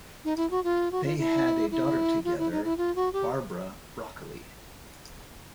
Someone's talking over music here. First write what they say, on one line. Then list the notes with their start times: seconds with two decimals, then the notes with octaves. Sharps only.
They had a daughter together, Barbara Broccoli.
0.25 D#4
0.37 E4
0.51 F#4
0.64 F4
0.92 F#4
1.05 F4
1.18 E4
1.71 E4
2.24 F4
2.38 E4
2.52 D#4
2.64 E4
2.78 F4
2.96 F#4
3.13 G4